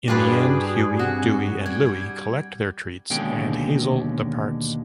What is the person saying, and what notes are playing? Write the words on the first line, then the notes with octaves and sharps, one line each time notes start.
In the end, Huey, Duey, and Louie collect their treats and Hazel departs.
G2 G3 D4 F4 F#4 G#4 B4
C4 F#4
G3 G#6
D#2 B2 D3 G#3 C#4 G5